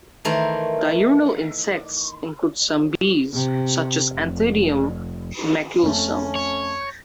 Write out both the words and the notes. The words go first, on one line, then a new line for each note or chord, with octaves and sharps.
Diurnal insects include some bees, such as Anthidium maculosum.
D#3 E3 A3 A#4 C5
C3
F1
F2 A3 C#4
C#5